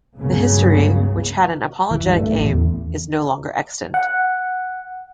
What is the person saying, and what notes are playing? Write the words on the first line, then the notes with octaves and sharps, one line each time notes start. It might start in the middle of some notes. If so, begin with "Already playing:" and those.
The history, which had an apologetic aim, is no longer extant.
C#2 G2 C#3 F#3 A#3 B3
E3
G2
A3
A1
E2
F#5